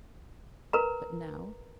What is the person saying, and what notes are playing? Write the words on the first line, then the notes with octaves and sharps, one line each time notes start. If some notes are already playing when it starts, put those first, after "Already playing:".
But now?
A#4 B4 A#5